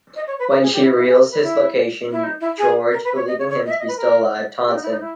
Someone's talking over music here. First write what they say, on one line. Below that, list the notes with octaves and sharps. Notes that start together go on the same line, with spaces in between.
When she reveals his location, George, believing him to be still alive, taunts him.
D#5
C#5
B4
A#4
G#4
G4
E4
E4
G#4
A#4
B4
E4
E4
D#4
E4
G#4
A#4
B4
C#5
D#5
C#5
C#5
D#5
E5
D#5
B4
A#4
G4
D#4
E4
D#4
E4